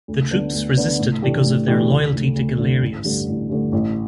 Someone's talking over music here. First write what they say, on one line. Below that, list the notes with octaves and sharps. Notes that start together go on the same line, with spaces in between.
The troops resisted because of their loyalty to Galerius.
D2
D3 B3 D4
D2
D3 B3 D4
A2
E3 A3 D4 G4
A2
E3 A3 D4 G4
D2
D3 A3
D2
D3 A3
A1
G2 D3 A3
A1
G2 D3 A3
A1